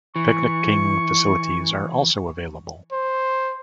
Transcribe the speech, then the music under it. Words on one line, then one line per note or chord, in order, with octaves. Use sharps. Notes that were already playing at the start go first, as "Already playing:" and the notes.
Picnicking facilities are also available.
E3 C#6
C5